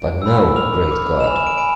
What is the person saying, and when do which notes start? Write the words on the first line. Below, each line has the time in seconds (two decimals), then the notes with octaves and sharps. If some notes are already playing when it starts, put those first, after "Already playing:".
But now, great God!
Already playing: D7
0.22 B5 E6
0.56 B5 D6 F6 F7
0.89 B5 D6 F6
1.20 E7
1.23 G#5 B5 F6 F7
1.35 E7
1.47 D7
1.58 G#5 B5 D7